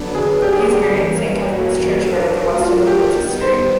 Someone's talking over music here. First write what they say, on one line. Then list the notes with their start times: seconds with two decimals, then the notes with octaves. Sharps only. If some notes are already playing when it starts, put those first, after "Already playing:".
He is buried in Saint Cuthbert's Churchyard at the west end of Princes Stree.
Already playing: D3 F#3 B3 D4
0.15 G#4
0.42 G4
0.52 G#4
0.62 G4
0.96 G2 E3 G3 A#3 C#4
1.50 F#4
2.05 F#3 A3 D4 F#4 A#4
2.60 F4
2.87 G4
3.15 D#3 G3 B3
3.41 C5